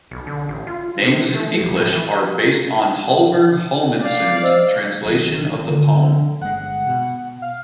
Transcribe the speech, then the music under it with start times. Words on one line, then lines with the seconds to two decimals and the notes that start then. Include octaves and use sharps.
Names in English are based on Hallberg Hallmundsson's translation of the poem.
0.11 B1
0.27 D3
0.49 A1
0.67 F4
1.02 C3
1.34 A3
1.61 E1
1.75 A2
1.92 E3
4.00 D5 F5
4.42 C5 D#5 E6
5.05 G#1 F#3
5.69 D3
6.41 G1 G#3 F#5
6.87 B2
7.42 F5